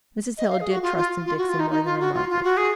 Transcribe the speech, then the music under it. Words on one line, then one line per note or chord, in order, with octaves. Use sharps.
Mrs. Hale did trust in Dixon more than in Margaret.
D#5
F5
G#4
F#4
F4
F4
F4
F#4
F4
D#4
D#4
F4
F#4
F4
F4
F#4
G#4